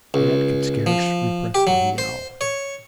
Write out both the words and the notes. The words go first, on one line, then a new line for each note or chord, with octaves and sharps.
Tad could scarce repress a yell.
C#2
F3
G4
F#3
C5
C#5